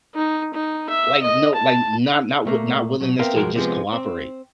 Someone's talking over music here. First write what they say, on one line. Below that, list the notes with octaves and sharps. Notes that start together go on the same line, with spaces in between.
like, no like, not not w not willingness to just cooperate.
D#4
D#4
E5
D#5
A5
A#2 A3 A#3
B2 F#3
B3 C4 A#4 E5 F5 G5
B1 F3 G#3 F#4 A#4 G5
C3 F3 G#3 B3
C4